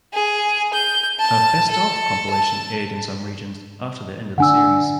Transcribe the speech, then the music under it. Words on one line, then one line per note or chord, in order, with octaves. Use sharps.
A "Best Of" compilation aired in some regions after the end of the series.
G#4
G6
A5
A4
A5
D3 D4 F#5 G#5 E6